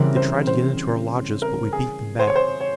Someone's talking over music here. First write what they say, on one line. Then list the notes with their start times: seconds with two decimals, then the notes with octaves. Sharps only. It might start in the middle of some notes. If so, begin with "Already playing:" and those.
They tried to get into our lodges, but we beat them back.
Already playing: C#3 E3 G3 C4 E4 A#4
0.17 C5
0.47 C5
1.42 A#4
1.73 G#4
2.19 C5
2.27 C#5
2.36 C5
2.60 C#5